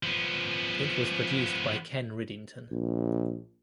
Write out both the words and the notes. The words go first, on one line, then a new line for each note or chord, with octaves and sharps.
It was produced by Ken Riddington.
F3 B3
A#1